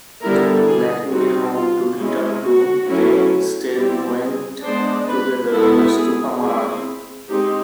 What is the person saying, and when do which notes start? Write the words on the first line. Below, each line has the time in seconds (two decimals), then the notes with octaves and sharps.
Lacking a home to return to, they instead went together west to Aman.
0.22 D3 G3 B3 E4 A#4
0.67 G#4
1.10 G3 C4 D#4 F#4
1.54 F4
1.99 G#3 C#4 E4
2.43 F#4
2.87 F#3 A3 C#4 E4
3.75 G3 C4 E4 G4
4.19 G#4
4.63 G#3 B3 D4 C5
5.08 B4
5.52 G#3 B3 E4 A4
5.96 G#4
6.40 G#3 C4 E4 G#4
7.28 G#3 C4 D#4 G4